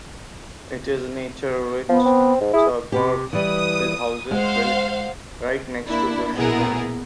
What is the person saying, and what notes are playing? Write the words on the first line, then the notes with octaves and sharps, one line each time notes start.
It is a nature-rich suburb with houses built right next to bushland.
F3 B3
C4
G#2
E4 G#4
C3 G4
E3 G3 D#6
G#3 C5 F5 F#5
A#3 D4 E4
A#1 B2 B3 E4 G#4 A#4